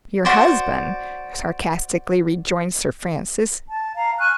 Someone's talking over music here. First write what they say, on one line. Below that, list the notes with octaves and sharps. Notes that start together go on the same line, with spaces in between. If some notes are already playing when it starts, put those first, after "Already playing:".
"Your husband!" sarcastically rejoined Sir Francis.
F#4 C5 D5
A5
F5 A#5
G#5 C#6 F6 F#6